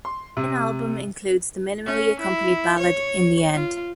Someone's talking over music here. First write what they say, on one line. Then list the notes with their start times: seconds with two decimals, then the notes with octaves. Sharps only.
In album includes the minimally-accompanied ballad "In the End".
0.05 C6
0.37 C3
1.86 C#4
2.20 E4
2.78 C#5
3.54 F4